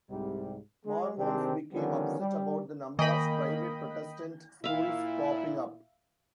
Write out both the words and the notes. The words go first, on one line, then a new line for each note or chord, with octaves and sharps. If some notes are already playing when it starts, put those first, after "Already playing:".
Mormons became upset about the number of private Protestant schools popping up.
C2 G#2 C3 G3
G#3
C3 D#3 C4 D4 G4 G#4
D3 D#3 F3 G3 B3 C#4
G3
D#3 A#3 D#5 G5 B5
A#2 E4 E5 F5